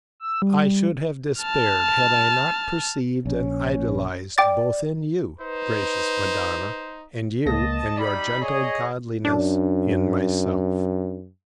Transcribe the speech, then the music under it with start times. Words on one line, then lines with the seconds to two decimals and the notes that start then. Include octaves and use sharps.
I should have despaired, had I not perceived and idolized both in you, gracious Madonna, and you and your gentle godliness in myself.
0.20 E6
0.42 G3
1.40 A5 F6
3.26 A#1 C#4
4.38 D5 G5 D6 A6
5.39 D#4 B4 C5
7.46 C#2 A#3 D#5 A5 A#6
7.98 G3 D#4 D5 B5
8.41 G#4 C#5 D#5
9.25 F#2 D4